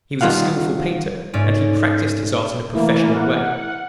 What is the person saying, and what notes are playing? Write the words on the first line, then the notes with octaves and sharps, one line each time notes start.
He was a skilful painter, and he practised his art in a professional way.
D#3 G3 F4 F5 F#5
G#2 A3 C#4 D5 D#7
E3 A3 A#3 E4
F#5 F6